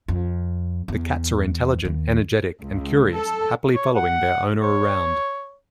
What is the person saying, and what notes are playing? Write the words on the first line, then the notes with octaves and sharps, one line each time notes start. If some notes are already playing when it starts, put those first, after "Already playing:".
The cats are intelligent, energetic, and curious, happily following their owner around.
F2
E2
D#2
C#2
A4
C#5
F#5
C#5